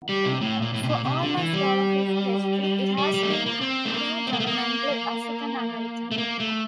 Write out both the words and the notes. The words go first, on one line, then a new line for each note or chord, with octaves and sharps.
For almost all of its history, it has been predominantly African-American.
G3
C3
A2
A#2
A2
C3
A#2
C3
D3
E3
G3
G3
G3
A3
A#3
A#3
C4
A3
A#3
C4
A#3
A3
A#3
A3
A#3
A3